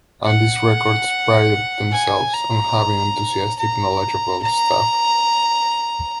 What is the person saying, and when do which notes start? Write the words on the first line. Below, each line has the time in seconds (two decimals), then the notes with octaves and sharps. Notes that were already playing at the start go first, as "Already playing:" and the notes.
Andys Records prided themselves on having enthusiastic knowledgeable staff.
0.25 F#5
1.92 G#5
2.33 A#5
3.59 A#5
4.42 A#5